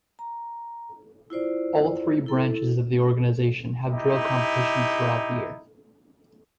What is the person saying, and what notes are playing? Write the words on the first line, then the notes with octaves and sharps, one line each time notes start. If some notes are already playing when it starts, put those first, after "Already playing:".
All three branches of the organization have drill competitions throughout the year.
A#5
E4 F4 C5 D5
E4 A4
D#4 E4 G4